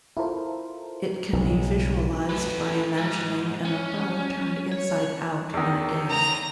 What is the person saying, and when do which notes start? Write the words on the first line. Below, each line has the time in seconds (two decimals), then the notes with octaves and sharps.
It can be visualized by imagining an umbrella turned inside-out in a gale.
0.17 E4 F4 A4 A#4 C5
1.33 B1 C#3
2.29 A3 B4
2.97 G#2
3.65 C#4
4.72 C#5
5.53 E2 D#3
6.10 A#5